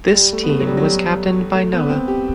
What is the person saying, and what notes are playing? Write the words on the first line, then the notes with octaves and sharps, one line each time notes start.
This team was captained by Noah.
G3
A3
B3
A3
F#3
G3
F#3
G3
A3
B3
C4
G4